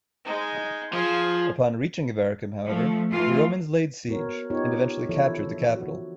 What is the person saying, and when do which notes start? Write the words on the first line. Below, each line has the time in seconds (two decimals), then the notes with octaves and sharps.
Upon reaching Avaricum however, the Romans laid siege and eventually captured the capital.
0.25 G#3 D#4
0.93 F3 F4 G#4
2.66 F3 A3
3.11 E3 A3 F4
4.08 B3 F#4 A#4 C#5
4.50 B3 D#4 F4 G4 C#5
5.09 D3 E3 F3 E4 A4 C#5
5.76 F#4